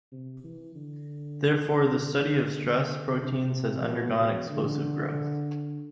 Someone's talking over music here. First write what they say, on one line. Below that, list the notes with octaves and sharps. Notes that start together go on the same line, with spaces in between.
Therefore, the study of stress proteins has undergone explosive growth.
C3
E3
D3
C3
B2
B2
D3